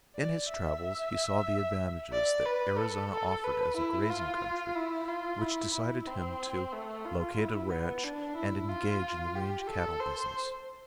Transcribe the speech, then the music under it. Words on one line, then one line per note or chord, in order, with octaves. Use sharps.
In his travels he saw the advantages that Arizona offered as a grazing country, which decided him to locate a ranch and engage in the range cattle business.
D5
E5
D5
B4
A4
A4
B4
E4
F4
E4
F4
E4
E4
C4
A3
F4
E4
B3
D4
E4
F4
G4
A4
C5